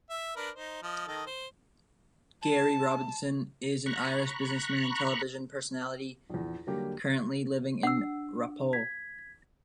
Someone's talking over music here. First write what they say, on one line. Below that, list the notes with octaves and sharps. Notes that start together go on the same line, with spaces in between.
Gerry Robinson is an Irish businessman and television personality currently living in Raphoe.
E5
D4 A#4 B4
D#4 C5
F3 D#5
D#3 A4 D#5
C5
A5
A#5 B5 C#6 F#6
A#1 E2
D3 F#3 G3 A#3 G4
D4 F#5 E6
G#6 B6